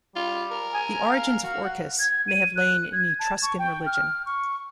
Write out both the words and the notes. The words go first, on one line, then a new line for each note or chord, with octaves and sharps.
The origins of Orcus may have lain in Etruscan religion.
G3 F4
A#4
G#5
F5
F#4
F#5
G#6
D#7
F#6
G#6
A5
C#6
G5
F6
C#6